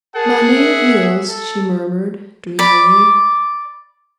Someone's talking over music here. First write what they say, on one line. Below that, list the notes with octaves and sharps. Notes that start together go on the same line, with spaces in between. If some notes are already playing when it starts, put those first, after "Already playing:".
"My native hills!" she murmured, dreamily.
G#4 A#4 F#5 A5
E5
A4
D5 B5